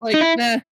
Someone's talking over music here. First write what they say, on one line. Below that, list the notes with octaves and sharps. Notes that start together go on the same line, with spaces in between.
Like the
D#4
E4